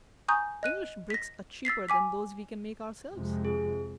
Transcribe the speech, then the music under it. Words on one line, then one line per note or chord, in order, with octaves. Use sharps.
English bricks are cheaper than those we can make ourselves.
G#5 A#5 C#6 D#6 G6
D#5 F#6 D#7
A#6 B6
E6 A6 B6 C7
G#5 D6 B6
F2 C3 G#3
G#4